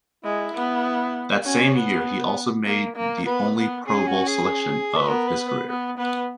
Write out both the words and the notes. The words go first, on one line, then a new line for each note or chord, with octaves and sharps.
That same year, he also made the only Pro Bowl selection of his career.
G#3 E4
B3
C#4 F#4
C#5
B3
A#3
A#3
B3 B4
B3
C#4 G#4
F#4
G#4
B4
B3 A#4
B4
B4
B3
B3 B4